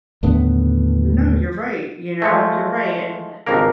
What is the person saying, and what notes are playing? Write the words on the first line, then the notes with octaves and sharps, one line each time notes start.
No, you're right, you know? You're right, and
D#2 A2 D3 B3
F3 G#3 A3
G#1 C#2 G2 A#3 A#4